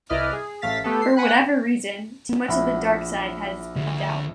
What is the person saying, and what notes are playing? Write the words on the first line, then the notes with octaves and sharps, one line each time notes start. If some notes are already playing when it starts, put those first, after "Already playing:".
For whatever reason, too much of the dark side has been left out.
C2 E4 B4 D5 D#5 F6
G#4
A1 A3 F5 A6 B6
A3 B3 G4 A4
C7
F#5 G#5 B5 F#6
A#1 E4 E5 F#5 B5
D2